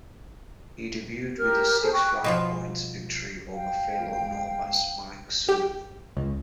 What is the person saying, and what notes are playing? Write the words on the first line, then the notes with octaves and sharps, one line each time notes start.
He debuted with a six-round points victory over fellow novice Mike Sullivan.
G4 A#4 F6
G#4 A4 C5
G5 C#6 F#6
B2 F3 F4
F5 G5
G4
C#2